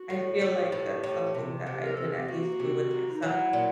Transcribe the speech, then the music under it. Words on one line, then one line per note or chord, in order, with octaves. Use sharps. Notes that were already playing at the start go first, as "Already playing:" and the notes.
I feel like that's something that I could at least do with my son.
Already playing: F#4
A2
F#4
A2 G4
A2
A2
C3
C3
A#4
C3 A4
G#4
G4
A#3 F#4
C3
A#3
D#4
F#3 E4
A#2